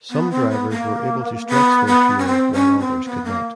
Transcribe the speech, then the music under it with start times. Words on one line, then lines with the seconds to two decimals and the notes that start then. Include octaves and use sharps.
Some drivers were able to stretch their fuel while others could not.
0.11 B3
0.30 C4
0.50 B3
0.70 A#3
1.48 B3
1.87 B3
2.19 C#4
2.26 C4
2.53 C#4
2.79 C4
3.05 B3
3.24 A#3